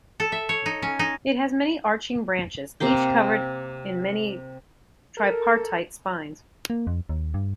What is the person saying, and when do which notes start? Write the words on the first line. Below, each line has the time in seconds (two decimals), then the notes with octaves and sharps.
It has many arching branches, each covered in many tripartite spines.
0.20 A4
0.32 E5
0.49 C#5
0.66 D#4
0.82 C#4
0.99 D#4
2.80 C3 A#3 F5 G5
5.17 A4 A#4
6.70 A#3
6.87 F2
7.09 D#2
7.34 G2